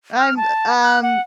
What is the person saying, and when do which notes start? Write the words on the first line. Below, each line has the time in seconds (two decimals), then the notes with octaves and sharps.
I'm, um,
0.19 F6
0.37 A5
0.83 F#6
1.03 F#5